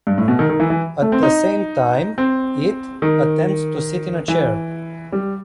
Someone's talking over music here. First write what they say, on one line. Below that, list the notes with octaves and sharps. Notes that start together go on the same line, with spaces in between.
At the same time, "it" attempts to sit in a chair.
G2
A2
B2
D#3
D#3
E3
E3
A3
C4
D#4
C4
D#3
E3
G3